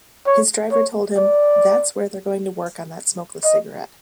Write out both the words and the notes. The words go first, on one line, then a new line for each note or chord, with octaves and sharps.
His driver told him, That's where they're going to work on that smokeless cigarette.
C#5
C#5
D5
D#5